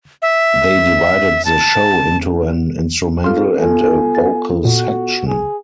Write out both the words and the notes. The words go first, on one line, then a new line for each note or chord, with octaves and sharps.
They divided the show into an instrumental and a vocal section.
E5
A5
C4 F4 A4 C6 F6
B3 F4 A4 G#5
B4 A6
A#2 F#4
G#4